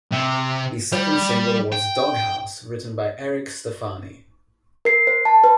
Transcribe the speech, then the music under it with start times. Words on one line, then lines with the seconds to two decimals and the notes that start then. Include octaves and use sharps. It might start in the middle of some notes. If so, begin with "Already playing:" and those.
The second single was "Doghouse", written by Eric Stefani.
0.12 C3
0.92 G3
1.73 G5
4.85 A#4 C7
5.07 C5
5.25 A5
5.44 B4